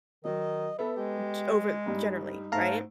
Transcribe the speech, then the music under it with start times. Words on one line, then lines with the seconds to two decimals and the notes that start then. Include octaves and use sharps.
g over generally right?
0.25 D#3 F#3 D#5
0.79 B3 A4 B4 E5
0.96 G#3 G4
1.86 G2 G3 D#4
2.52 G#2 A3 F5 A5 A#5